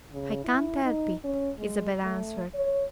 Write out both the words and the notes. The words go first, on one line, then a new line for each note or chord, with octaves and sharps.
"I can't help it," Isabel answered.
C#3
E4
D#4
C#4
G#3
A3
C#5